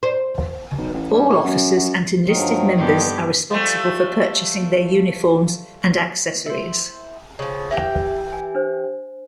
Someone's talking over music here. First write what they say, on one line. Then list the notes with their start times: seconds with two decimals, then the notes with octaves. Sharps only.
All officers and enlisted members are responsible for purchasing their uniforms and accessories.
0.03 C5
0.78 B1
0.94 A1
1.13 G2
1.29 A2
1.44 F#2
1.77 F#2
2.29 G2 D#3 F3 F#3
2.78 G2 D3 B3 G4
3.50 F3 G3 A3
6.46 E4 C5
7.39 C#3 F3
7.71 E3 G4 E5 G5
8.33 G#5
8.55 D4 C5